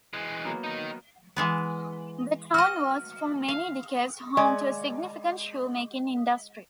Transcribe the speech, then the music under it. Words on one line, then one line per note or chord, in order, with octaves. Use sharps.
The town was for many decades home to a significant shoe-making industry.
E3 G#3
F#3 A#3 B3
D#4 A#4
E3 G#3 B3
F#4 D#5 F6
F5
G#3 D5 G#5